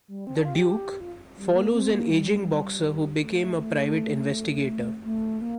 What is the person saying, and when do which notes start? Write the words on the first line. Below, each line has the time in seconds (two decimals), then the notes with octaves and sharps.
"The Duke" follows an aging boxer who became a private investigator.
0.08 G3
0.27 C4
0.36 D4
0.45 F4
0.55 G4
1.00 F4
1.37 G3
1.55 A#3
1.74 C4
1.92 A#3
2.10 G3
3.21 A3
3.57 A3
5.04 A3
5.41 A#3